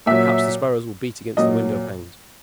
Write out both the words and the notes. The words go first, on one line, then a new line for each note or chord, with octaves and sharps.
Perhaps the sparrows will beat against the windowpanes!
A#2 F#3 E5
A#2 F#3 D#5